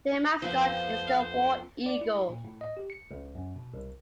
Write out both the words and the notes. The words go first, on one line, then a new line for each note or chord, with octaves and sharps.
Their mascot is the War Eagle.
F2 F3 B3 C5
F5
C5
D5
E4
A#2
A2
D#5
G4
C#7
C#2
F#2
B2
C2